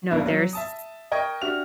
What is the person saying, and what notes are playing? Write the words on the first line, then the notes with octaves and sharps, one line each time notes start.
No. There's
B1 B2 A#3 D4 E4
F#3
E5 A5 D#6
A#4 D#5 G5 C#6 G#6
D4 F#4 G4 E5 F6 F7